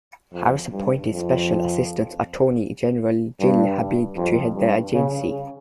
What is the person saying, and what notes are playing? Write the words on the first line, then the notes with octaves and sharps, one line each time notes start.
Harris appointed special assistant attorney general Jill Habig to head the agency.
F2
G2
F2
G2
F2
G2
C#3